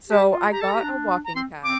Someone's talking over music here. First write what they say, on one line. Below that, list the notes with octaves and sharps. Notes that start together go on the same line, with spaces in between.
So, I got a walking pad
G4 A5
F4
G4 A#5
A4 A5
G4 A#5
D4
A#5
C4 C6
C4 D6